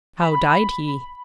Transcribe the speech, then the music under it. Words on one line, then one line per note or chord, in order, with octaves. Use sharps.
"How died he?"
B5